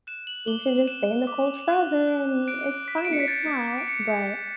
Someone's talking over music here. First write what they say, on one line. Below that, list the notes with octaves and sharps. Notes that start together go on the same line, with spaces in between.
we should just stay in the cold forever and it's fine like that, but
F#6 E7
F#7
D6 G7
F#7
F#6 E7
D6
F#6
F#6
F#6 D7
D6 B6
E7
D7
C#7
B6
G6 A6
B6
D6 B6
D7
C#7
G6